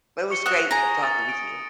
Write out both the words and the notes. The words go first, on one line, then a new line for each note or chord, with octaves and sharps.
but it was great talking with you.
C#6 C#7 G7
E5 F#5 D#6 A#6
G#4 A#5
D#6 A6
D7